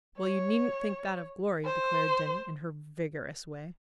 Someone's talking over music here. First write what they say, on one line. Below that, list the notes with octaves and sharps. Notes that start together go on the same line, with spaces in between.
"Well, you needn't think that of Glory," declared Jenny in her vigorous way.
C#5
C5